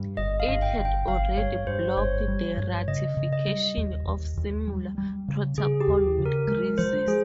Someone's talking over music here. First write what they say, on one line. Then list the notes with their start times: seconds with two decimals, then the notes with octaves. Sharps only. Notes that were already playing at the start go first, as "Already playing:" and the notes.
It had already blocked the ratification of similar protocol with Greece.
Already playing: G2
0.17 G1 D#5
0.40 F5
0.48 G1
0.62 G5
0.77 G1
0.85 G5
1.07 G1 F5
1.37 G2 C#5
1.67 G2 C5
1.97 G1 C#5
2.28 G3
2.57 G2
2.87 C#3 D#5
3.17 C#3
3.32 D#5
3.47 G3
3.77 D#2
4.07 D#2
4.37 D#2
4.67 G3
4.98 G3
5.28 C#3
5.58 C#3 G#4
5.80 G4
5.88 D#2
6.18 C#3
6.26 A#4
6.47 G#3 A#4
6.78 F3 C5
7.07 G#3 G#4